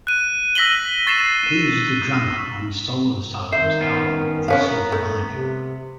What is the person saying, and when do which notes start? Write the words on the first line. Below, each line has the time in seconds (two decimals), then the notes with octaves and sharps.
He is the drummer on Soul Asylum's album "The Silver Lining".
0.07 F#6 D#7
0.55 E6 A#6 B6 D#7 F#7 G7
1.07 C#6 A6 C7 D#7 E7
3.52 D#3 C5 E5
3.81 B3 C#4 F4
4.48 C3 C#4 B4 C#5 F5
4.64 B3 A#4
4.92 A3
5.28 C3